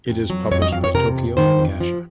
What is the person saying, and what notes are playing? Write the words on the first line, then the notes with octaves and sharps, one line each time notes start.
It is published by Tokyo Mangasha.
F2
F#3
F2 C#5
D#5
F2 F5
C#5
C3 A#4
F2
D#3 C5
F2
F3